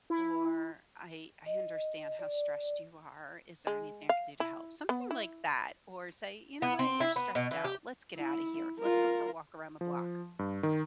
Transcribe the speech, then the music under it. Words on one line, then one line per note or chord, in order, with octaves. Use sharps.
or "I I understand how stressed you are. Is there anything I can do to help?" Something like that. Or say, "You know what? You're stressed out. Let's get out of here. Let's go for a walk around the block."
E4
D#5
D5
G#3
F5
E4
B3
E4
B3
C4
E4
B3
B2
E3
G4
E4
F4 A#4
F3
G2
D#3